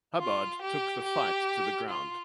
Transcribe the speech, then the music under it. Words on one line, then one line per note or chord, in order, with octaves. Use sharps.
Hubbard took the fight to the ground.
F4
G4
G4
F4